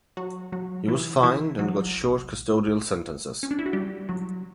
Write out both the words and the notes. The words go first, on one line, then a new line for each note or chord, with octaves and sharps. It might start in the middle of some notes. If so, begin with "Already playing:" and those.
He was fined and got short custodial sentences.
F#3 F#4
F#3 F#4
E3 E4
E3 E4
F#3 F#4
C#4
D4
E4
F#4
G3 G4
F#3 F#4